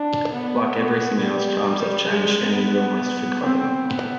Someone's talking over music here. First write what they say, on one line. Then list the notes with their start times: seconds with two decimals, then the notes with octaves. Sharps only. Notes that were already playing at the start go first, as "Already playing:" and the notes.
Like everything else, times have changed and he is almost forgotten.
Already playing: D4
0.33 B3
0.77 B3
1.21 G3
1.65 G3
2.09 G#3
2.53 B3
3.42 C4
3.87 B3